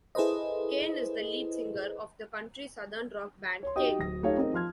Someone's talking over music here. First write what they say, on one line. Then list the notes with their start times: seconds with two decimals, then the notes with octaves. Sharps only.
Kane is the lead singer of the country-southern rock band Kane.
0.15 E4 G#4 A4 B4 C5 D#5
3.63 C#5 C6
3.76 D#4 F#4 G4 D#5 G5 D#6
3.99 D1 A#6
4.23 A3 D#4 F4 G4 C#5 F5
4.37 C4 D#4 G#4 A#4 D#5
4.53 F3 C6 F6 G#6